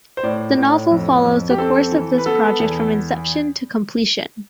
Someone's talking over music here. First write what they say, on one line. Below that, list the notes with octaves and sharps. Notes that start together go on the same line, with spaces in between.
The novel follows the course of this project from inception to completion.
C5
A2 D5
A2
F2
F2
G4
C4 A4
E3
B4
B3 A4
E2